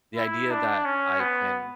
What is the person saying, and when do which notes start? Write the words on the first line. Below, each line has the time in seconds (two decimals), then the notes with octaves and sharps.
The idea that I can
0.16 E4
0.51 D4
0.85 C#4
1.20 B3